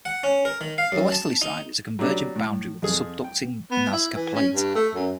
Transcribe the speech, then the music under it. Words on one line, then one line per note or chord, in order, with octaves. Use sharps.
The westerly side is a convergent boundary with the subducting Nazca Plate.
F#5
C#4
A#4
D#3
F5
F#2
A5
D#4
F#3 G3 D4 D5 E5
A2
F2 G#4
G5
B3
E4
E3
C#4
G2
A3
F#2